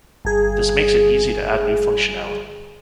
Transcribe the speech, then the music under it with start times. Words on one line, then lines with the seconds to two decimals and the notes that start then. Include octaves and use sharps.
This makes it easy to add new functionality.
0.25 G1 G#4